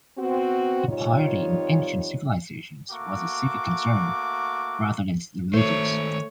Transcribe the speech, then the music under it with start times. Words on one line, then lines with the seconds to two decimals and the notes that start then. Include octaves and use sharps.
Impiety in ancient civilizations was a civic concern, rather than religious.
0.17 B3 C4 F#4
0.88 F2 D#3 G3 D#4 F4 C#5
2.91 A3 A#3 F#4 D6
5.54 D#3 A3 C5 C#5